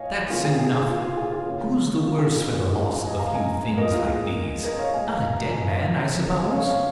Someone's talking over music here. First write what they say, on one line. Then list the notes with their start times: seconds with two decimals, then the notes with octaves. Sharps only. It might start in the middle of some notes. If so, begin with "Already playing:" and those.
"That's enough. Who's the worse for the loss of a few things like these? Not a dead man, I suppose."
Already playing: A#2 C#5 D#5 F5 G#5
0.30 C#3 A#3 F4
0.45 G#4
0.59 G#4
0.74 G#4
0.88 F4
1.02 F4
1.17 G#4
1.32 F4
1.46 C#3 A#3
2.04 F4
2.18 G#4
2.33 F4 A#4
2.48 G#4
2.62 G#2 G#3 G#4
2.76 F4 A#4
3.05 D#5 G#5
3.19 F5 A#5
3.34 D#5 G#5
3.77 A#2 A#3 A#4 D#5
3.92 F4 A#4
4.07 G#4
4.64 A#4 D#5
4.79 C#5 F5
4.93 A#2 G#3 D#5 G#5
5.07 F5 A#5
5.51 D#5 G#5
5.66 F5 A#5
6.09 F2 C#3 G#3
6.37 D#5 G#5
6.52 C#5 F5
6.67 C#5 F5